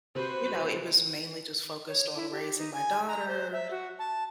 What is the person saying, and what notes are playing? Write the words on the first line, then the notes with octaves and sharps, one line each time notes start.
you know, it was mainly just focused on raising my daughter,
C3 F#4 B4 C5
C#5
E4
G4
D#4
G#5
A#5
C5
E5
F#4
A5